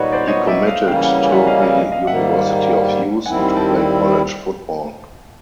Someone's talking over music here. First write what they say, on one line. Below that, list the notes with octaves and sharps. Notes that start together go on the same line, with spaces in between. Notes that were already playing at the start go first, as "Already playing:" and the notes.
He committed to the University of Houston to play college football.
Already playing: A#2 G3 B3 D#4 F#4 B4 C#5
C5 D5
C#5 D#5
D5 E5
D#5 F5
C#3 E3 G3 A#3 C#4 F5 G5
F#5 G#5
E5 F#5
D#5 F5
D#5 F5
D#5 F5
D#5 F5
G#2 D#3 G3 A#3 E5 F#5
D#2 D#3 G3 C4 E4 F#5 G#5
G5 A5